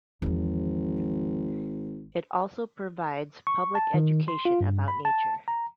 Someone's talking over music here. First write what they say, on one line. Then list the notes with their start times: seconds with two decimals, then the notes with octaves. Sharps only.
It also provides public education about nature.
0.22 G#1 E2 F3
3.47 C#6
3.75 A5
3.94 D#3
4.28 C6
4.45 F4
4.61 G2
4.88 B5
5.05 A5
5.48 A#5